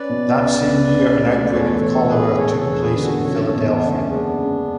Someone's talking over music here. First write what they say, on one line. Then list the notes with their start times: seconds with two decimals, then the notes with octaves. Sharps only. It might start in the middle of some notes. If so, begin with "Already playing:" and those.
That same year an outbreak of cholera took place in Philadelphia.
Already playing: C#4 B4 D5
0.09 B2
0.37 C#2
0.67 C#2
0.95 C#2
1.24 A3
1.51 E2 A4 C#5
1.80 E1 A4 C#5
2.09 G#3 G#4 B4
2.38 G#3 A4 C#5
2.59 A4 C#5
2.66 E1
2.80 G#4 B4
2.95 D3
3.02 F#4 A4
3.23 F#1 A4 C#5
3.36 D5
3.45 A4 C#5
3.52 E2
3.66 B3 D4
3.81 F#1
3.88 A3 C#4
4.09 G#3 B3 D4
4.38 C#3